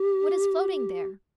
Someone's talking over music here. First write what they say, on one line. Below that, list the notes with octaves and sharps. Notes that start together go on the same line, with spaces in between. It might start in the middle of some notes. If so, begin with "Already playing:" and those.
"What is floating there?"
Already playing: G4